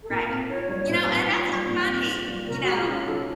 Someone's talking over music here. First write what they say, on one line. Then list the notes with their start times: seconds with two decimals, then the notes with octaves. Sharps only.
Right. You know, and that's so funny, you know,
0.03 A4
0.10 A#2 A#4
0.29 C4
0.49 F4 C#5
0.69 G3 C#5
0.89 A#2 C5
1.09 C4 B4
1.29 F4
1.48 G3
1.68 A#2
1.88 C4
2.08 F4
2.28 G3
2.47 C3 A#4
2.63 G#3 F#4
2.77 F4
2.87 C#4 F4
3.07 F3 A4